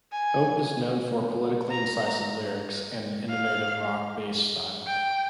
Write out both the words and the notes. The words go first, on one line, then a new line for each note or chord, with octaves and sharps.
Hope is known for politically incisive lyrics and an innovative rock-based style.
G#5
A#5
F5
G5